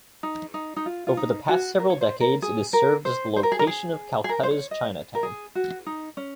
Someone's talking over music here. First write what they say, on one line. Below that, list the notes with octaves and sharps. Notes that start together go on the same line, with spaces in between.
Over the past several decades, it has served as the location of Calcutta's Chinatown.
D#4
D#4
D#4
F4
F4
D#4
F#4
A#4
C#5
C5
A#4
G#4
A#4
C5
C5
A#4
G#4
A#4
G#4
G#4
A#4
C5
C#5
D#5
A#4
G#4
F#4
D#4
C#4